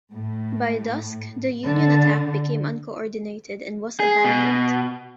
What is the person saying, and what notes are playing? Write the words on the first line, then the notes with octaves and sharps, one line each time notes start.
By dusk, the Union attack became uncoordinated and was abandoned.
A2
D3
G#4
B2